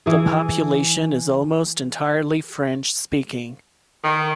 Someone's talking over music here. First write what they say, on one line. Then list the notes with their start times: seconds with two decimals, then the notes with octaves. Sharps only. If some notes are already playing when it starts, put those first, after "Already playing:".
The population is almost entirely French-speaking.
0.06 E3 G#4
4.04 D#3